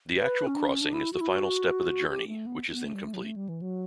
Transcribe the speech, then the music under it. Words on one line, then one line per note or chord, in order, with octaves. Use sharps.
The actual crossing is the final step of the journey, which is then complete.
B4
C#4
D4
C#4
D4
E4
F#4
E4
F#4
G4
A3
B3
B3
A3
G3
A3
F#3
A3
G3
E3
F#3